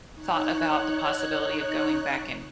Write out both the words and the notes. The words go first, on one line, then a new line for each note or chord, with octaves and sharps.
thought about the possibility of going back and
D#4 C#5 F#6